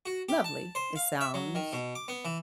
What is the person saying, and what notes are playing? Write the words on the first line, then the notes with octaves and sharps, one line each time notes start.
lovely, it sounds
F#4
G4
A5
C5
F5
E5
F#3
D#3
B2
D6
B3
E3